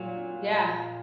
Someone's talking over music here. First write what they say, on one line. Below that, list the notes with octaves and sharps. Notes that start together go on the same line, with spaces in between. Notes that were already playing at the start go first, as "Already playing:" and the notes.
Mhm, yeah.
Already playing: A#2 F#3